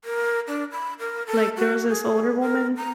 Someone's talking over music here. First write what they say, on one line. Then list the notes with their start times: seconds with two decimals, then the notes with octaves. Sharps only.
like, there was this older woman,
0.05 A#4
0.48 D4
0.72 B5
0.99 A#4
1.27 A4
1.57 F#4
1.89 G#4
2.41 A#4
2.77 A#5